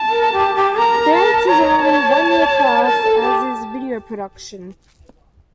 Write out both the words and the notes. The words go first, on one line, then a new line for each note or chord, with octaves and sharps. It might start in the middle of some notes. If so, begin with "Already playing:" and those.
Dance is only a one-year class, as is Video Production.
Already playing: A5
A#4
G4
G4
A#4 A#5
A5
C#5 A#5
A5
A#4 A5
A4
G4